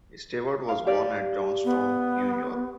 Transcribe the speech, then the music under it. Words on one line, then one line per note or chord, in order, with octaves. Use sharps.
Stewart was born at Johnstown, New York.
F5
G4 D5 F5
B3